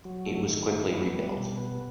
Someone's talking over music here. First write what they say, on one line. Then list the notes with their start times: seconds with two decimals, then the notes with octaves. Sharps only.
It was quickly rebuilt.
0.05 F#3
0.26 A3
0.49 D#3
0.70 A3
0.92 B3
1.13 G3
1.36 B2
1.58 B3